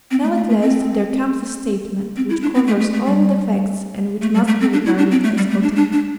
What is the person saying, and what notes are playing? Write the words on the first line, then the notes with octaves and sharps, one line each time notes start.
Now, at last, there comes a statement which covers all the facts, and which must be regarded as authentic.
C4
A3
A3
A3
C4
C4
E4
D4
C4
A3
A3
A3
G3
A3
G3
A3
C4
D4
E4
D4
C4
A3
G3
A3
D4
D4
D4